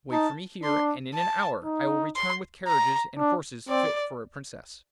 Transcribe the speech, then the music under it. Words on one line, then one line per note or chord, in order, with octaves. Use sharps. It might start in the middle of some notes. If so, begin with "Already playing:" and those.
Wait for me here, and in an hour I will return with carriages and horses fit for a princess.'
D#4 A5
D4 C6
A5
D#4
C6
A#5
D4
C4 D5